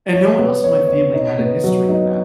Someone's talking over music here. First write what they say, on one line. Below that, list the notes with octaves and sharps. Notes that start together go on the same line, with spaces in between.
And no one else in my family had a history of that.
C#5
B3
C#5
C#5
D#4
B3
F#3
D#4